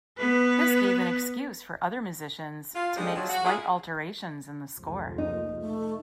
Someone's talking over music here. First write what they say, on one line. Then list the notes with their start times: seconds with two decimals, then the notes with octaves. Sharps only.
This gave an excuse for other musicians to make slight alterations in the score.
0.18 B3 B4
2.75 F4
2.96 D3 G3 G#3 C4 D4 D#4
3.16 F3 F#3
3.29 F#4
3.45 G#3 A#3 E4 F4 G#4
4.76 F1 C#2 F3
5.18 A#3 D#4
5.59 A3